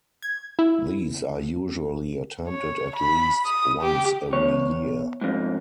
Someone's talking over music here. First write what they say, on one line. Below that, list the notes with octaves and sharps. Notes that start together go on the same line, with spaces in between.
These are usually attempted at least once every year.
G#6
E4
C#5
B5
D#6
G4
E2 C#5
F2 G#2